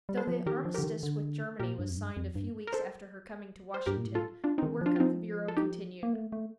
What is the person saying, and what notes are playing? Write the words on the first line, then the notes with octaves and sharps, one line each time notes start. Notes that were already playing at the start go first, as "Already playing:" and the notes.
Though the armistice with Germany was signed a few weeks after her coming to Washington, the work of the bureau continued.
G3
A4 C5
F3
D#3 G4 A#4
F3
D3 G4 A#4
D#3
D3
A#2 G4 A#4
G2
F2
G2
F2
G2
A#4
A4 C5
C5
G2 G4 A#4
A#2
A2
F4 A4
D4 F4
C4 D#4
D#3
F3 D4 F4
F4
F3 C4 D#4
A4
D#4 G4
A#3
A3
A3